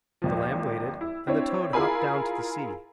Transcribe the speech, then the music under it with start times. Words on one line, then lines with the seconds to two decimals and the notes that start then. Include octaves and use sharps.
The lamb waited and the toad hopped down to the sea.
0.22 G#1 D#2 F3
1.01 E4
1.27 C4 D4 E4 C#5
1.73 E4 F4 G#4 A#4 G#5 B5